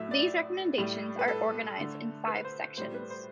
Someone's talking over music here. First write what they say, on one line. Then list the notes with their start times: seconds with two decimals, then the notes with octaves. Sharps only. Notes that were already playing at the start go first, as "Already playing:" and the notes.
These recommendations are organized in five sections.
Already playing: A2 F#3 A3 E5
0.11 D5
0.78 A2 G3
1.19 B4
1.28 A4
1.78 D3 A3
2.28 B4
2.45 C5
2.61 C5
2.77 A2 G3 C5
2.94 B4
3.10 C5